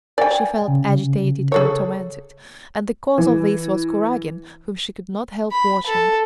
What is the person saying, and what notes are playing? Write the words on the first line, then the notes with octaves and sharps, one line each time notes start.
She felt agitated and tormented, and the cause of this was Kuragin whom she could not help watching.
D5 G5 G#5
C#3
G#4 A4 C#5
E3
B5
A4